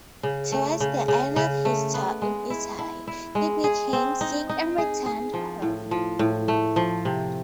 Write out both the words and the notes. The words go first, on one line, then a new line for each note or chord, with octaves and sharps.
Towards the end of his tour in Italy he became sick and returned home.
C#3
A3
C#3
C#3
C#3
A3
B3
G#3
E4
E4
E4
G#3
G#4
C4
D#4
D#4
G#4
G#4
F3
A2
F3
A2
A3
F3
C3